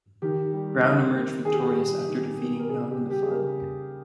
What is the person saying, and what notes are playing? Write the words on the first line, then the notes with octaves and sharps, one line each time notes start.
Brown emerged victorious after defeating Young in the final.
D#3 G4
G3
D#3
A#3
D#3 G#4
G4
G#4
G3
D#3
A#3
A#4
C#3 G#4
G4
G3
G4
G#4
C#3 A#4